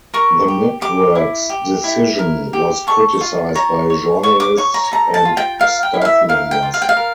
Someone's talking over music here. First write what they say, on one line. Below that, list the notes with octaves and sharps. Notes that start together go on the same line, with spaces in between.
The network's decision was criticized by journalists and staff members.
A#4 C#6
G4
G4 D6
E4
G4
E4
A#4
G4
A4 C#6
F4
C#5 A#5
C#5
C#5 C#6
D6
C#5 C#6
A#5
A4 A#5
A5
F4
G5
A#4 F5
G5
E4
F5
E5
A#4 F5
G5
F4
F5
G5
F5
A#4